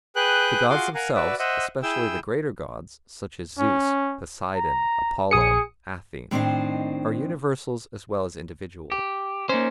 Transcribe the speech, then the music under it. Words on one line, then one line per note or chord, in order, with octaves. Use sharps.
The Gods themselves, especially the greater Gods, such as Zeus, Poseidon, Apollo, Athene, are universals as well as individuals.
G#4 B4 G5 F#6
F4 F#4 G#4 F#5 C6 D6
A#4 F5 F#5 G#5 A#5
F#4 B4 D5 E5
C5 D#5 E5 F#5
E4 G#4 G5 E6
C#4
A#5
A#1 G#4 D#6 C#7
A2 D#3 C4 D4 D#4 C5
G4
A#3 C#4 D#4 C5